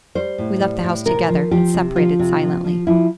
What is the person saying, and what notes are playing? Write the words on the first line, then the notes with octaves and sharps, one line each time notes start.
We left the house together, and separated silently.
G3 C5
A2
G3
A2
C3 A#4
F3
F3 G4
C3
F3 F4
C3
F3
F3
F3 E4